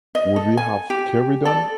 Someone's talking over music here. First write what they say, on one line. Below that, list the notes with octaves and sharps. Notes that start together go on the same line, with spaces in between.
Would we have carried on?
D#5
A4
G#5
G4
A4 D5